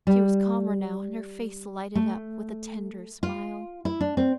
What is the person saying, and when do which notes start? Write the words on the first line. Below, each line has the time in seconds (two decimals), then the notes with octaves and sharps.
She was calmer now, and her face lighted up with a tender smile.
0.07 G3
1.95 A3
3.23 F4
3.85 E4
4.01 D4
4.17 C4